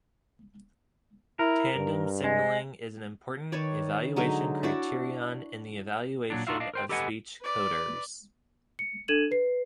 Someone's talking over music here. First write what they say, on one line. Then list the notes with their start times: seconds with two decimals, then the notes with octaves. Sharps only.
Tandem signaling is an important evaluation criterion in the evaluation of speech coders.
1.39 E4 A#4
1.76 G2
2.24 G#3
3.52 D#3 B4 C#5 D5
4.16 D3 F#3 G#3 D#4
4.63 D4 E4 F#4 D5
6.30 A#2 F#3 D4
6.47 D4 D#4 F4 F#4 E5 F5
6.60 D4 D#5 F5
6.74 A#4 C5 G5
6.89 G4 A4 B4 D#5 F#5 G#5
7.41 B4 D5
8.79 C#7
9.08 D4 A4 G#6 D#7 E7 F#7
9.31 B4 C7